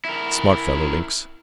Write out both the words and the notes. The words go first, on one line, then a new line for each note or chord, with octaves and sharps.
Smart fellow--lynx.
E4 A#4